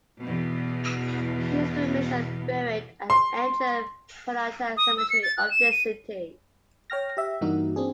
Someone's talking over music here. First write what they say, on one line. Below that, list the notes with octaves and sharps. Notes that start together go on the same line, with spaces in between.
His remains are buried at Angela Peralta Cemetery of this city.
E2 B2
C6
D#6
E6
C#7
A6
F#6
E7
D#7
C#5 G5 F6 A#6
G4 E5
G2 E3 G3 A#3 D#4 F#4
C4 D4 G#4